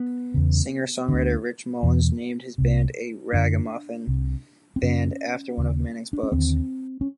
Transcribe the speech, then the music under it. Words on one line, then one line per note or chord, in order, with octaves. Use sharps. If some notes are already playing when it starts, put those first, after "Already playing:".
Singer-songwriter Rich Mullins named his band, A Ragamuffin Band, after one of Manning's books.
Already playing: B3
E2 C#3
D2 D3
E2 B2
C2 C3
F#2 D3 D4
C2 C3
C4
F#2 C#3 C#4
D#2 C#3
D4
C#4
D#2 D3 C4
C#4